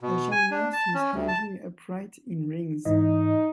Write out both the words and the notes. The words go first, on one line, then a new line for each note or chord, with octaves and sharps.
A gymnast is hanging upright in rings.
B2
G#5
D4
A5
C#4
D2
A5
G#2 E3 D#4 D#5